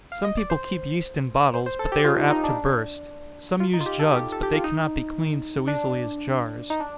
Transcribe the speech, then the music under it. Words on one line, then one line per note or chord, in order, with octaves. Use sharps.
Some people keep yeast in bottles, but they are apt to burst--some use jugs, but they cannot be cleaned so easily as jars.
F5
D#5
D5
C5
C5
C5
A4
G4
F4
D#4
D#4
D4
F4
D#4
F4
G4
A4
G4
A4
G4
F4
D#4
D4
D#4
D4